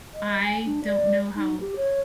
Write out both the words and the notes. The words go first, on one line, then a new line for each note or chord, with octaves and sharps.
I don't know how
D#5
G#5
D4
D5
D#4
G4
C#5